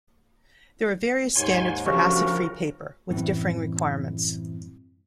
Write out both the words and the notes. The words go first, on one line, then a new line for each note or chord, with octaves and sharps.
There are various standards for "acid-free" paper, with differing requirements.
D#2 G#2 C#5 G#5 C6
D2 C#3 F3 F#4 G4 A#4 C#6
F#2 A2 E3 G3 C4 E4